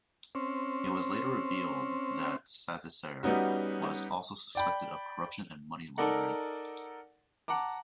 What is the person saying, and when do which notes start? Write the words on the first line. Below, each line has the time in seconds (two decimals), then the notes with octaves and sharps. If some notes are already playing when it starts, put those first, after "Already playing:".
It was later revealed that Savisaar was also suspected of corruption and money laundering.
0.35 C4 C#4
3.23 G3 B3 C#4 D#4 F#4
4.55 D5 G5 B5
5.98 D#4 A4 A#4 D5 F#5
7.48 F#5 A5 A#5 D6